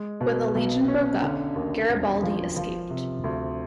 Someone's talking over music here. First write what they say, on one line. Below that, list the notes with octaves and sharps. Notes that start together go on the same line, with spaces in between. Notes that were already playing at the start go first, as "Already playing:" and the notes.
When the legion broke up, Garibaldi escaped.
Already playing: G#3
B2
B1
C#4
D3
D#2
E1
F3
F3
C3
D2